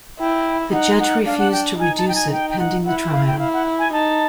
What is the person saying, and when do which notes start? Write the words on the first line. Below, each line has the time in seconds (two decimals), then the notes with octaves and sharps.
The judge refused to reduce it, pending the trial.
0.19 E4 G5
0.73 D#4 F#5
1.00 F#5
1.26 D4 F5
1.39 F#5
1.52 G5
1.79 D#4 G#5
1.98 A5
2.08 G5
2.15 G#5
2.32 G5
2.50 G5
2.59 F#5
2.85 E4 F#5
3.13 F5
3.26 G5
3.39 E4 F5
3.53 F#5
3.79 G#5
3.93 D#4 A5